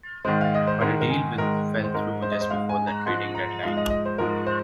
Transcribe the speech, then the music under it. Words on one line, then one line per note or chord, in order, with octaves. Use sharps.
But a deal with fell through just before the trading deadline.
G#2 D#3 G#3 C5
F5
D#5
C5
G#2 D#3 G#3 A#4
A#4
G#4
G#2 D#3 G#3 A#4
C5
G#2 G#3 A#4
C5
D#5
C5
G#2 G#3 F5
G#5
A#5
G#2 F3 G#3 C6
A#5
G#2 F3 G#3 F5
D#5
D#5
C5
G#2 F3 G#3 A#4
C5